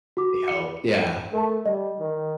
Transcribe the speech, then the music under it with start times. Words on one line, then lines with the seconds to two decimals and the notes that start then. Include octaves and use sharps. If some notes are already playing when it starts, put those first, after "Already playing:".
they helped yeah.
0.17 F#4 D6
0.48 C#7
1.33 A3 A#4 A5
1.66 G3 D#5
2.00 D#3